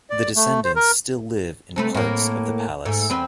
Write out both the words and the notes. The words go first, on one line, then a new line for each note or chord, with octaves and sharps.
The descendents still live in parts of the palace.
D5
A3
C5
A#4
C3 A3 B4
A2 A#3
G#2 A3
E2 C4 B4